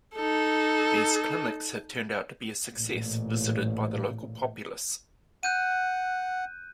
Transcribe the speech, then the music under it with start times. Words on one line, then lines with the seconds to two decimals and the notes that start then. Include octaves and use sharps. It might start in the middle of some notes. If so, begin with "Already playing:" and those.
These clinics have turned out to be a success, visited by the local populace.
0.15 D#4 A4
2.72 A1 A#2
5.43 F#5 F#6 G6 D#7